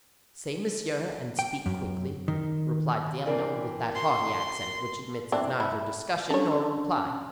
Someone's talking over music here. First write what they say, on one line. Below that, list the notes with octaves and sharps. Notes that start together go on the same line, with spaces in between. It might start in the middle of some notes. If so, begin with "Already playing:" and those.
"Say monsieur, and speak quickly," replied the unknown, with that haughty accent which admits of neither discussion nor reply.
G5
F#2
D#3
E3 C4 D4 A#4 D5
F#4 C6
E3 C4 D4
E4
C#4 D4 A4 C#5